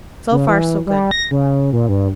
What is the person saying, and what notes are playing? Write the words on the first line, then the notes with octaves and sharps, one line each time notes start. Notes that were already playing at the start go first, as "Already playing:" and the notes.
So far, so good.
C#3
E3
G3
A#6
C#3
A#2
G2